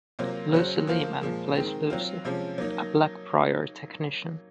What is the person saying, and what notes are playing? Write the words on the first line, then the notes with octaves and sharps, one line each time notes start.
Lucy Liemann plays Lucy, a Blackbriar technician.
C3 F#3 A#3 F4 C5
C#3 F#3 C#4 F#4 C5
F3 A#3 F4 C5
A#2 F3 G#3
D#3 G#3 C4
F#3 C4 F4
C3 F3 G#3 C#4
F#3 A#3 D#4